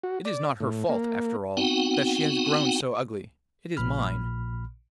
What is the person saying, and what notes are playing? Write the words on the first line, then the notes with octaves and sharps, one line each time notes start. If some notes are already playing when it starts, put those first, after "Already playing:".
'It is not her fault, after all, that she has grown so ugly, it is mine.
F#4
D5
A2
A#3
B3 C4 D#4 F#4 F#5 G5
A#1 A#2 B5 F6